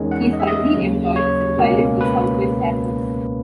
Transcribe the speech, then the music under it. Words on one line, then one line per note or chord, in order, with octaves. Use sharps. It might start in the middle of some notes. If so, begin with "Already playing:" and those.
He is currently employed as a pilot for Southwest Airlines.
Already playing: E2 D#3 G#3 C#4
F#5
D#5
E5
D#5
D#2 C#3 F#3
C#5
C#2 B2 A#3 C#4
B4